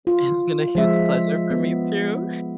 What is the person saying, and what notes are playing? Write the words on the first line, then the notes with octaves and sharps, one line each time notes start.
It’s been a huge pleasure for me too.
F4
F3 G#3 E5
B3